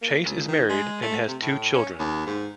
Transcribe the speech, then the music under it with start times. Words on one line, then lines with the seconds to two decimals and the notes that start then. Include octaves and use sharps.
Chase is married and has two children.
0.02 A#3
0.25 C#2
0.48 D#3
0.69 G#3
1.02 A3
1.27 C3
1.42 A2
1.74 C#4
1.99 D#2
2.26 G#2